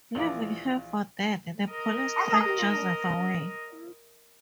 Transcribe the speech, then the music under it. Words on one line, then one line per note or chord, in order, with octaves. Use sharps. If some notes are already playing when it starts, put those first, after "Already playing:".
Leaving her for dead, the police drag Joseph away.
A#1 E3 F4 D6
A#4 D#5